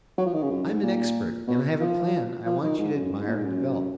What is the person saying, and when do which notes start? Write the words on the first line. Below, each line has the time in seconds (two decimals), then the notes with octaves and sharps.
I am an expert and I have a plan I want you to admire and develop.
0.18 F#3
0.26 F3
0.34 D#3
0.42 C#3
0.50 F#2
0.67 G#2
0.83 A#2
1.48 B2
1.80 F3
2.46 F3
2.63 D#3
2.79 G#2
2.96 F#2
3.12 F#2
3.20 G#2
3.28 A#2
3.36 G#2
3.45 F#2